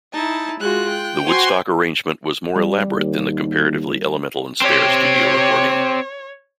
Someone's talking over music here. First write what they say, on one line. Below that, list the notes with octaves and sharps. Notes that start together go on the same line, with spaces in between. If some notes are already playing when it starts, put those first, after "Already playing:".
The Woodstock arrangement was more elaborate than the comparatively elemental and spare studio recording.
D#4 E4 A5
G#3 F4 F#4 F#6
G5
F#4 C5 G#5 C6
G3
D#2
C4 G4 C#5